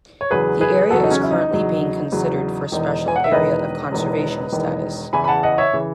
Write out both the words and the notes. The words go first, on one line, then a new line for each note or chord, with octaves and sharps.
The area is currently being considered for Special Area of Conservation status.
C#5
E2 C#3 F#3 G#4 B4
G#4 B4
E2 C#3 F#3 F#4 A4
D#4
C#4
E4
D#4
E2 C#3 F#3
E2 C#3 F#3
E1 E2 D#3 D#4
G#5
F#5
E5
E1 E2 D#3 B4 D#5
E1 E2 D#3
E1 E2 D#3
E2 C#3 E3 G#5 B5
B5
F#5 A5
D#5 F#5
C#5 E5
C#3 E3